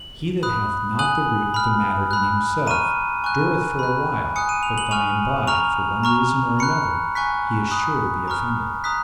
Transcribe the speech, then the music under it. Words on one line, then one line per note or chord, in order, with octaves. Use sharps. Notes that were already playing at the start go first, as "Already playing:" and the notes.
He that hath not the root of the matter in himself dureth for a while, but by and by, for one reason or another, he is sure to be offended.
Already playing: F#7
B5 D#6 F#6
G#5 D#6 F#6 F#7
B5 F6
B5 F#6
A#5 C#6 F6 D#7
G#5 C#6 F#6
B5 F#6
G#5 D#6 F#6 C#7
D#7
F7
F#7
G#5 C#6 F6 F7
A#5 C#6 F6 F7
A#5 C#6 F6
B5 F#6 C#7
G#5 C#6 F#6 B6
B5 D#6 F#6
A#5 C#6 F6
A#5 D#6 F#6 B6